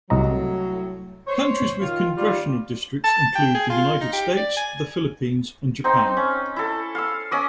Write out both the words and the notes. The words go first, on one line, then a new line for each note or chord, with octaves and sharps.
Countries with congressional districts include the United States, the Philippines, and Japan.
C2 A2 F#3 D#5 A#5
C5 C#5
D#3 F4
D#2 G3 F4
A5
G5
G#4
F4
D#4
G4
D5
G#5
C4 D#4 C5
C#4
E4 A4
F5 E6
C#4 D#5 D6